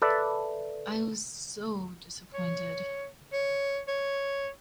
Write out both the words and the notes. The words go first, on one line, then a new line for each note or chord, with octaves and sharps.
I was so dissappointed.
A4 B4 D5 E5
C#5
C#5
C#5